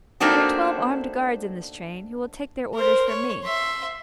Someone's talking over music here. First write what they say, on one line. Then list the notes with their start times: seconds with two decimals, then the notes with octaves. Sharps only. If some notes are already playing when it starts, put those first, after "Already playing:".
'There are twelve armed guards in this train who will take their orders from me.
0.20 A3 A#3 C4 D4 D#4 F#4
2.74 A#4 C5
3.08 C#5
3.44 E5 C6